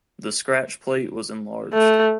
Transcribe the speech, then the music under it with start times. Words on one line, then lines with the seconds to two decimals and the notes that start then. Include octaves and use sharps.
The scratch plate was enlarged.
1.73 A3